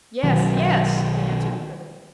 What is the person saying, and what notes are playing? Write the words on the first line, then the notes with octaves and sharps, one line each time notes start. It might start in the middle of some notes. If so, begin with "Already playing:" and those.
"Yes, yes," they answered eagerly.
B1 D#3 F#3 C#4